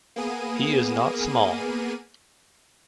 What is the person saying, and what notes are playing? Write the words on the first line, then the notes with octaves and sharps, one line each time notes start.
He is not small.
A#3 B3 G#4 D#7